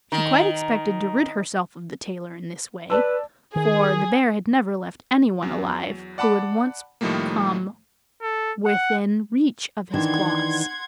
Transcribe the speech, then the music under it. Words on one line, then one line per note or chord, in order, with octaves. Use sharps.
She quite expected to rid herself of the tailor in this way, for the bear had never left anyone alive who had once come within reach of his claws.
D#3
B4 D5 A5 E6
D#3 G#4
E2 F#3
D5 F#5 A5 B5 D6
A2 D#3 F3 G3 A3 A#3
A4
F#5
D#3 E3 D4 F#5 C6 G#6